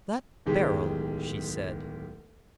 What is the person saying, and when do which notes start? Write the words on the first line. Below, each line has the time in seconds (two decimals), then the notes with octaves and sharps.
'That barrel!' she said.
0.46 D1 B1 D#3 G#3 G4